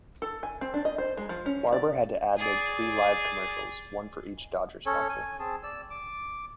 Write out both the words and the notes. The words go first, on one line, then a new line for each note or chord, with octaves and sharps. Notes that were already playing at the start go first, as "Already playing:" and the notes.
Barber had to ad-lib three live commercials, one for each Dodger sponsor.
A4
G#5
C4
D4
D#5
C5
G#3
F3
C#4
D5
G#4 D5
C#4 A4 C#5
G#5
C4 G#4 A5
D5 E6
D6